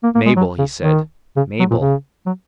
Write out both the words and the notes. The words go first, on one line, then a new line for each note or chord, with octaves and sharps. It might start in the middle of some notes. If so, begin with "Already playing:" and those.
"Mabel," he said, "Mabel."
A#3
A#3
G#3
F#3
C#3
D#3
C#3
F#3
A#2
C#3
F#3